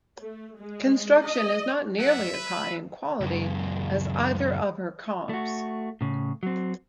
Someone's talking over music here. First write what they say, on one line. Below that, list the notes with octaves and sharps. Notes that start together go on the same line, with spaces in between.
Construction is not nearly as high in quality as either of her comps.
A3
G#3
D#5
F#2 E5 F#5
B4 B5
C#2 F#2
A3 F#4
A2 C#3
F#3 C4